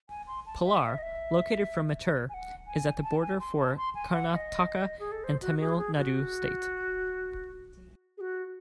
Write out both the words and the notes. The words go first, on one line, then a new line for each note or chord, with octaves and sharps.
Palar, located from Mettur, is at the border for Karnataka and Tamil Nadu State.
G#5
C6
A5
E5
F#5
E5
D#5
E5
G#5
F#5
G#5
A5
G#5
C6
A5
C6
G#5
F#5
F#5
D#5
G#4
A4
C5
F#4
G#4
G#4
F#4
G#4
F#4